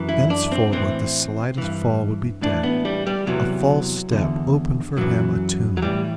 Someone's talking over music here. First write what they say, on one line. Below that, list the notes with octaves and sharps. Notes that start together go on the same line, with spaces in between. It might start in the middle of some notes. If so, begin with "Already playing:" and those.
Thenceforward the slightest fall would be death; a false step opened for him a tomb.
Already playing: F#2 E3
E4
D4
C4
A2 E3 C4
G2 E3
A2 E3 D4
B3
G3
G3
E2 C3 E3 F#3
E2 D3
F#2 E3 F#3
F#3
A2 E3 G3